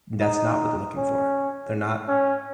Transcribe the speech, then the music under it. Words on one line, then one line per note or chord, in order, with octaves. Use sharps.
that's not what they're looking for. They're not
D#4
C#4
C#4